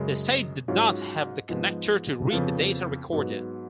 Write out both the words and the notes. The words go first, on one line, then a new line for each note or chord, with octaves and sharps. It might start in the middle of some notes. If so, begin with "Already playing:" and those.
The State did not have the connector to read the data recorder.
Already playing: F#2 C#3 G#3
G#2 F#3 C#4 F4
G#2 F3 G#3 B3
F2 C#3 F3 B3 F4
G#2 F#3 B3